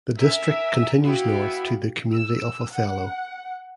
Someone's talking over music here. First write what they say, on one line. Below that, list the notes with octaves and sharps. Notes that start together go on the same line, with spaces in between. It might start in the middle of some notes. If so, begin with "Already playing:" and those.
The district continues north to the community of Othello.
A#4 E5 G#5
B3 E4 F#4 G4 F5
E6
F#5